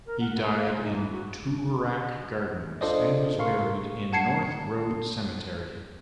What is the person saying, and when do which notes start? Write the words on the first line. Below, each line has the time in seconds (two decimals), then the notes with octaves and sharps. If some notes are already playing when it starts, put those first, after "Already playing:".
He died in Toorak Gardens and was buried in North Road Cemetery.
0.06 A#4
0.20 F#5
0.35 E4
0.56 F5
0.69 G#4
0.82 D#4
0.96 E3
1.11 F#4
2.81 D4 F4 A4 C5 D5 D#5
3.38 A2 G#4 A#4 F5 C6 C#6
4.13 F#5 A5 G#6 C7 C#7